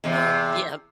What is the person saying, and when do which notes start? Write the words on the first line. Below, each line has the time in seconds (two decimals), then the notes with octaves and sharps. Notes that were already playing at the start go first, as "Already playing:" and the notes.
Um, yeah
0.04 E2 C3